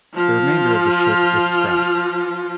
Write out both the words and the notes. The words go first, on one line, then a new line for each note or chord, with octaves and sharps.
The remainder of the ship was scrapped.
F3 F4